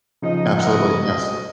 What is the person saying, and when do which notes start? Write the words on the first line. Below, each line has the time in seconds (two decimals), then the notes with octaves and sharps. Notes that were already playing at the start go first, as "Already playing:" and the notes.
Absolutely, yes.
0.22 C#3 F3 D#4 D#5
0.58 E4 A#4 D#5 F#5
0.99 D2 B2